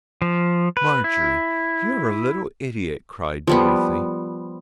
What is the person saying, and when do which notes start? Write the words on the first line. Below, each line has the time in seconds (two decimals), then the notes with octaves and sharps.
"Marjorie, you're a little idiot," cried Dorothy.
0.22 F3
0.77 B4
1.04 E4
3.47 F3 G3 B3